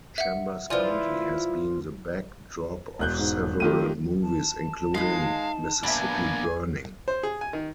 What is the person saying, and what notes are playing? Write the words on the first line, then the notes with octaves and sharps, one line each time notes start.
Chambers County has been the back drop of several movies including Mississippi Burning.
E5 F#5
F3 E4 F4 B4 D5 G#5
E1 F#6 G6
G#2
D#3 A3 F4 G4 D#7
A5
G#3 D#4 B4 F5
A#3 B3 D4 E5 G#5
C5
G#4
G#5
D#3